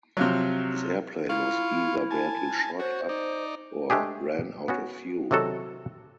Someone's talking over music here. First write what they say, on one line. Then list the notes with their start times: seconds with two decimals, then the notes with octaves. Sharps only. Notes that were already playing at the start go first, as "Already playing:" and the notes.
His airplane was either badly shot up or ran out of fuel.
0.17 C3 F3 F#3
1.29 E4 F4 F5 C#6
2.11 G#5 A5
2.80 F#4 C5 C#5
3.09 D#4 D5
3.90 G#3 A3 D4 G4 G#4
4.68 B3 C#4 F#4
5.31 C3 D#3 F#3 F#4 A4